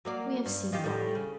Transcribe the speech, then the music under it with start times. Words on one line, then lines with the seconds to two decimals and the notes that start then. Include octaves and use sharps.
We have seen why.
0.05 F#3 A#3 D5
0.46 G2
0.72 D#3 F4 G4
0.84 A2 G3
1.15 C#3